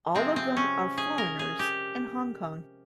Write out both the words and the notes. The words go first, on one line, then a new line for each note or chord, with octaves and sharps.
All of them are foreigners in Hong Kong.
C3 F3 G#3 C4
C4
C#4
G#4
A#4
G#4
G4